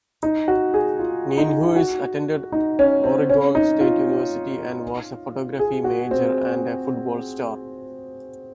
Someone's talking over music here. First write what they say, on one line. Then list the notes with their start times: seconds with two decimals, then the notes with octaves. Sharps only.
Nienhuis attended Oregon State University and was a photography major and a football star.
0.23 D#4
0.48 F#4
0.74 G#4
0.99 F4
1.38 D#4
1.76 F#4
2.52 D#4
2.79 C#4
3.04 C4
3.30 C#4
3.55 D#4
3.81 F4
5.59 G#4
5.84 F#4
6.11 C4